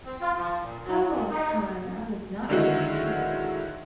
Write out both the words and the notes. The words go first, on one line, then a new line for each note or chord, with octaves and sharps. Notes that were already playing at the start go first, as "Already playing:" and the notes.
Her work however was not destroyed.
C4
F4
F3
A#2
F#3
A#2
D#4
D3 D#3 F#3 G#3 E4 F#4